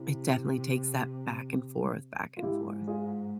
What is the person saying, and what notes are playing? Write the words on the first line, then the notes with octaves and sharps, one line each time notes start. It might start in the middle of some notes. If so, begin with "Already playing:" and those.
it definitely takes that back and forth, back and forth.
Already playing: C3 E4 G4
F4
G#2 E4 G4
F4 G#4